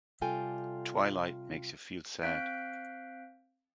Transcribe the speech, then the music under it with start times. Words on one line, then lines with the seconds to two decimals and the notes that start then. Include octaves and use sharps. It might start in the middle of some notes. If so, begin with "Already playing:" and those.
Twilight makes you feel sad.
0.21 C3 G3 F4 A4 G5 G#5
2.23 C4 F5 F#6 G6 B6 D7